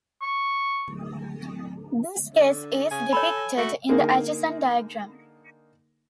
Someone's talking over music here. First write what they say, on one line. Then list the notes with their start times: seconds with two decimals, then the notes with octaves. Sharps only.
This case is depicted in the adjacent diagram.
0.22 C#6
2.34 D3
2.91 C#3 G#5
3.13 A4 C#5 B5
3.57 A3 F#4
3.89 D3 A#3 D#4 G#4 A#4